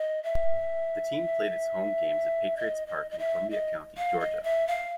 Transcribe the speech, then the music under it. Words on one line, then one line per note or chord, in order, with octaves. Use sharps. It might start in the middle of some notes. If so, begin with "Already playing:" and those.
The team played its home games at Patriots Park in Columbia County, Georgia.
Already playing: D#5
E5
D#5
D#5
D#5
E5
D#5
F5
D#5
E5
F5